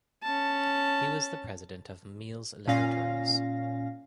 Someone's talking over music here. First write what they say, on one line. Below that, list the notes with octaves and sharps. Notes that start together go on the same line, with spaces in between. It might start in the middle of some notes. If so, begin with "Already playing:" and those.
He was the president of Miles Laboratories.
C#4 A5
A#2 C#4 F5 A#6